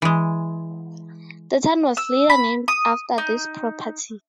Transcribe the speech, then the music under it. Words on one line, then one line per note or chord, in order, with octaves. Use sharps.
The town was later named after this property.
E3 G#3
E6
B5
D#6
D#4